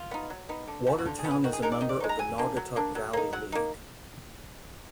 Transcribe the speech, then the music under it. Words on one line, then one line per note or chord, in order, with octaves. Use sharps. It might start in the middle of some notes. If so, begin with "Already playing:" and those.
Watertown is a member of the Naugatuck Valley League.
Already playing: F4
B3 D#4
F#3
B3 D#4
D3
F3 B3
F#4
D3 F4
G#4
F3 B3
G#4
D#3 F#4
G#4
G#3 D#4 A#4
D5
D#3 D#5
D5
G#3 D#4
A#5
F#3 G#5
A#3 D4
F#3
A#3 D4
F#3
A#3 D#4
F#3 F#5
A#3 D#4